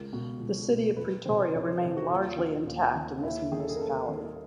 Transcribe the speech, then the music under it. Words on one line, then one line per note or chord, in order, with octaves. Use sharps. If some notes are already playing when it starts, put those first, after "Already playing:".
The city of Pretoria remained largely intact in this municipality.
Already playing: C#2 A#4
B2
C#2
B2
F2 B4
C3 D#3 C5
F2 C#5
C5
C3 D#3 C5
F#4
D#2 F4
D#3
D#2
D#3
D#2 E4
D#3 G#4
A4
G#4
A#4
D#2 A4
D#3